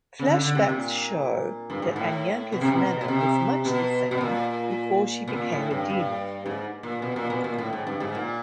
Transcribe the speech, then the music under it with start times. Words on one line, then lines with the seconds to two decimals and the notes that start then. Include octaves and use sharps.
Flashbacks show that Anyanka's manner was much the same before she became a demon.
0.19 C#3
0.27 D3
0.41 D3
0.55 C3
0.69 A#2
1.70 G2
1.82 G#2
1.96 A2
2.52 B2
2.61 C3
2.70 B2
3.01 B2
3.08 C3
3.65 B2
4.11 B2
4.21 A#2
5.28 B2
5.33 A#2
5.52 A2
5.70 G2
5.90 G2
6.46 G#2
6.83 A#2
7.02 B2
7.16 A#2
7.30 B2
7.44 A#2
7.58 A2
7.73 G#2
7.87 G2
8.00 G#2
8.15 A#2